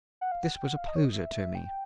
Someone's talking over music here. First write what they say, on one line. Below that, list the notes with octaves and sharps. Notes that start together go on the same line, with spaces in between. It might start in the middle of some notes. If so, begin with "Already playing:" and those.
This was a poser to me.
F#5
F5
F#5
G5
F#5
F5
D#5
C#5
D#5
E5
G5